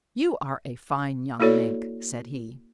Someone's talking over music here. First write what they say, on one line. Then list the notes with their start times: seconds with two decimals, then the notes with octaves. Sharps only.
"You are a fine young Mink," said he.
1.40 A#3 E4 F#4 A4 C#5 D5